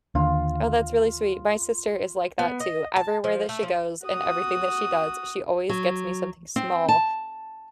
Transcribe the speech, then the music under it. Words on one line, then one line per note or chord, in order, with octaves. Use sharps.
Oh, that's really sweet. My sister is like that too, everywhere that she goes, and everything that she does, she always gets me something small
D#2 D3 F4
B3
D#5
A5
F3
A3
F3
F#4 D#6
F#3
C4
A5